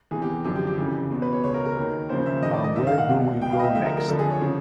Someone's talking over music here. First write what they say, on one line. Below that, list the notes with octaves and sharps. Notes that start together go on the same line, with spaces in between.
And where do we go next?
E2 C3 E3 G#4
G4
F#2 D3 F3 G4
G4
G4
F2 C#3 E3
E2 B2
B4
C#5
C#2 B2 C#5
A#4
A#4
D#2 D#3
D#2 C#3 F3 C5
E5
F2 C3 D#3 D#5
D5
D#5
G2 D#3 E5
F5
F#5
C2 B2
C2 B2 G5
F5
D#5
E5
D2 D3 F3 E5
A#4
A#4
F2 D3 F3 A4
G#4
C#5
C#3 F3